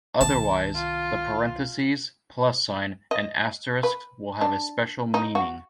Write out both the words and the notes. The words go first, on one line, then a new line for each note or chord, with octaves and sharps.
Otherwise, the parenthesis, plus-sign, and asterisk will have a special meaning.
C2 D#3 A5
F4
D#5
B4
D4
D#4
F#4